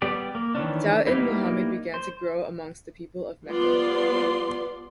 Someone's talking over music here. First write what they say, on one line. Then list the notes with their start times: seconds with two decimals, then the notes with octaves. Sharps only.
Doubt in Muhammad began to grow amongst the people of Mecca.
0.02 G3 B3 G4 D5
0.35 A#3
0.55 D#3 E3 C#4 D4
1.07 G3 A#3 B3 D#4 E4
1.94 C5
3.47 F3 G3 B3 F4 D5 C6